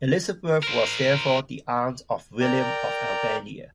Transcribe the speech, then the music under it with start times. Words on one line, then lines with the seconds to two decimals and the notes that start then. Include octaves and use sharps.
Elisabeth was therefore the aunt of William of Albania.
0.63 A#4 C5
2.41 A#4 D5 G5 A#5